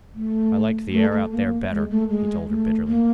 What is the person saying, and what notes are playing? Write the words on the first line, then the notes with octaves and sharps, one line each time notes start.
"I liked the air out there better," he told her bitterly.
A3
A3
A3
A#3
G#3
A3
G#3
A3
A#3